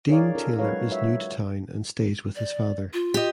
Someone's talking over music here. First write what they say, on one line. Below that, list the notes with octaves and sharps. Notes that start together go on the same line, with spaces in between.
Dean Taylor is new to town and stays with his father.
D#4 G#4 A#4 C#5 D5 F5
C#4 F4 A4 A#4
F#3 G#3 F#4 B4 C#5 F5
F#4 C#5 E5
D5
F4
G4 D#5